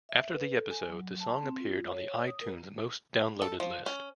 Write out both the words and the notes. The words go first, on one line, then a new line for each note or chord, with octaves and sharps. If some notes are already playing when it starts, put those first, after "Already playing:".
After the episode, the song appeared on the iTunes most downloaded list.
E5
B4
A4
G#5
F#3
A5
C4
F4
C#5
D#6
A#4
A4
F3
C#4